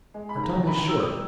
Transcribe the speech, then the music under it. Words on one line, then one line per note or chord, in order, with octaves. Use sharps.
Our time is short.
G#3
B5
D#3
A#5
D#2 A#5
B5
D#2 A#5
E6
G3 D#6